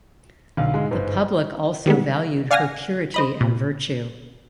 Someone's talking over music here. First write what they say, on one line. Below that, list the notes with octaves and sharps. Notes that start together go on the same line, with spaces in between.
The public also valued her purity and virtue.
B1 D3 F5
G#2 G#3
G1 G#2 B4 C5
D#3 G3 G#3 B3
D5 F5 F#5 G#5 F6 A#6
C5 D#5 B5
A#2